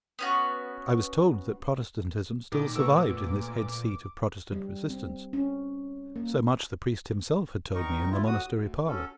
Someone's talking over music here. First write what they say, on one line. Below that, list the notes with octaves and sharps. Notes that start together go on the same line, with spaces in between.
I was told that Protestantism still survived in this head seat of Protestant resistance; so much the priest himself had told me in the monastery parlour.
B3 C#4 F#4
A#2 D#3 D6
A3 B3 A#4 C#6 E6
G3
C4
C#4
A#3
E2 D#3 D#4 A#4 C#6
E4 F4
A2 F#4 D#6
D2
F#3 C#4 A4